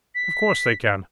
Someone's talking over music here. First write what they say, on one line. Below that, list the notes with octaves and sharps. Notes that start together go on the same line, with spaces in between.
Of course they can.
B6